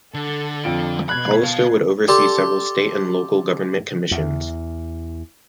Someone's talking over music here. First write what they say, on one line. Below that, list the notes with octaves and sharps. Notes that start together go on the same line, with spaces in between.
Hollister would oversee several State and Local Government Commissions.
D3 A4
F2 F4 D7
B2 B5 F#6 G#6
F5 A5
G4 A4 D5 A5 C6
E2